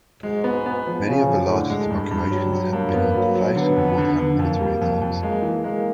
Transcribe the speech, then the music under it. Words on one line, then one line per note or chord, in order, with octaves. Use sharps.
Many of the largest evacuations have been in the face of war-time military attacks.
G#2 G#3
B3
B3
F3
C#3 F3
F3
A2 D3
G#3
G2
G2
F#3 G3
F#3
G2 A#3
B3
F#3
F#3
D3 B3
F2
D3
D3
F2 A#3
G3
F2
F2
G#3 A#3
E3
G#3 A#3